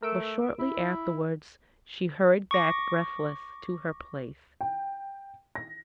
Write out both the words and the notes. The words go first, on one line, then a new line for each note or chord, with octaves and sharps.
But shortly afterwards she hurried back breathless to her place.
A3 A#4 E6 D7
E4
C#6 D6 A#6
G5
A#6